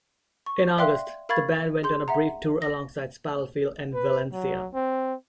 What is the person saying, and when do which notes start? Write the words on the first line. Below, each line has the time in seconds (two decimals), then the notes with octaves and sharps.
In August, the band went on a brief tour alongside Spitalfield and Valencia.
0.46 C#6
0.78 D5 E5 F5 G5 C6 F#6
1.29 A#4 F5 B5 C#6 G#6 A6
1.83 G#4 C6 G6
2.08 E5 F#5 A#5
2.62 A#6
3.94 B4
4.33 F#3
4.74 C4